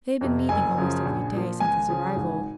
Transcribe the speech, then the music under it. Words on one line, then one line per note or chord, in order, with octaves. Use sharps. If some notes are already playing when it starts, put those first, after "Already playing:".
They had been meeting almost every day since his arrival.
F2 C3
F#1 G#5
F#2 C#3 F3
A#1
A#2 F3
C#2 G#5
C#3 F3
G#1